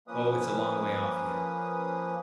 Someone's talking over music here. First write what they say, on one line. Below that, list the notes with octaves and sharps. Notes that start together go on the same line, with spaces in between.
Oh, it's a long way off yet.
F3 A#3 C#4 B4 D#6